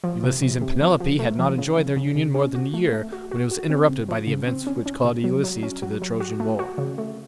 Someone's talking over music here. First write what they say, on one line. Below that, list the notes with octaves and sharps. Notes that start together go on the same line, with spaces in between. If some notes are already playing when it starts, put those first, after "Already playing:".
Ulysses and Penelope had not enjoyed their union more than a year when it was interrupted by the events which called Ulysses to the Trojan war.
F3
C3
C3
C3
F3
F3
A3
F3
C#3
C#3
C#3
C#3
C#4
F#4
A3
A3
F#4
F#4
F#4
C4
C#3
F3
C#3
C4
C#4
C#4
C3
F#3
F#3
C#4
F#3
F#3
F#4
A3
F#4
C#3
A3